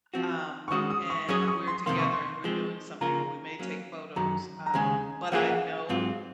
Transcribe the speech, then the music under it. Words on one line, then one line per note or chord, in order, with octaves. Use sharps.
um, and we're together and we're doing something, and we may take photos, um, but I know
F3 C4 F#4
C#6
D#3 G#3 C#4 F#4 D#6
D#6
C#6
F#3 C#4 G#4 C#5 D#6
D#6
C#6
C6
F2 C3 D#3 A#3 C6
C#6
C6
F3 G#3 C4
C#3 F3 A#3 F4 A#4 A#5
F#3 A#3 C#4
F#2 D#3 F#3 A#5
A#5
D#2 C#3 G#3 G#5
F3 A#3 C#4 G#4 F#5
F5
F#5
G#2 F#3 C4 F4